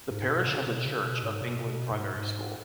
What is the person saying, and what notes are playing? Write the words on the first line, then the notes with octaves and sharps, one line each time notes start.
The parish has a Church of England primary school.
G#2
B2
C#3
B2
C#3
B2
G#2
B2
B2
G#2
G#2